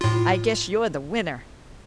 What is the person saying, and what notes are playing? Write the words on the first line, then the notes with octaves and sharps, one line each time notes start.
I guess you're the winner!
A2 F4